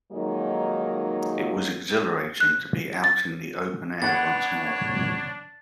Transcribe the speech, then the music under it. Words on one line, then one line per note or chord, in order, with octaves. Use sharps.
It was exhilarating to be out in the open air once more.
F2 D#3 F#3 G#3 A#3 D#4
F#6
A6
B3 D4 C#5 F#5 A6